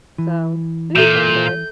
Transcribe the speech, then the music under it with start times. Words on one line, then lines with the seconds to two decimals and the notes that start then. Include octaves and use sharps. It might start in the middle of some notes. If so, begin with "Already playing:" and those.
So, maybe someday.
0.18 E3
0.96 A#2 A4 E5 A#5 G6